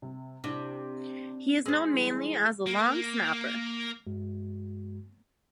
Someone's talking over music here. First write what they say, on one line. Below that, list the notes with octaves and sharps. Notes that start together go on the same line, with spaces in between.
He is known mainly as a long snapper.
C3
C3 D4 E4
G#3 C5 E6
E3 G3
A#3
G2 G#3 F#4